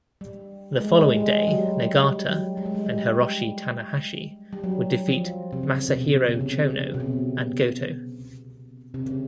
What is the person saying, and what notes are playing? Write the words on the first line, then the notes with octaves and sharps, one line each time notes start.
The following day, Nagata and Hiroshi Tanahashi would defeat Masahiro Chono and Goto.
G3
G#3
G3
G#3
F#3
G3
G3
F#3
G3
G#3
G3
G3
G3
F#3
F3
C3
C#3
C3
B2
C3
C#3
C3
C#3
B2
C3
C3
C#3